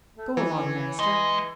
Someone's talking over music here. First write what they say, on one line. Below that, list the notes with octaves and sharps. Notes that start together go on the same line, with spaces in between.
'Go along, master!
A3
E3 B3
C#4
G#3 D#5